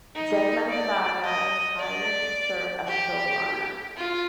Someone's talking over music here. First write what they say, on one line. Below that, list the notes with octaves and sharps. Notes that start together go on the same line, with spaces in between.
Declan de Barra was hired to serve as showrunner.
D#4
D5
D#5
D5
G4
F4